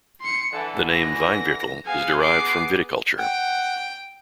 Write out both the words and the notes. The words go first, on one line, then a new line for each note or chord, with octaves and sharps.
The name Weinviertel is derived from Viticulture.
C6 C#7
D3 E3 A4
A#6
B3 F#4 G#4 F5 G#5
D6 C7
F#5 G5